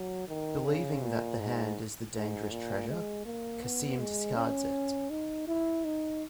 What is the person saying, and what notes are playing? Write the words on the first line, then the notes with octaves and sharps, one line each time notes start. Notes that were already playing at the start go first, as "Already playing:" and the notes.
Believing that the hand is the dangerous treasure, Cassim discards it.
Already playing: F#3
D#3
C#3
A#2
G#2
G#2
A#2
G#3
A#3
B3
G#3
C#4
D#4
E4
D#4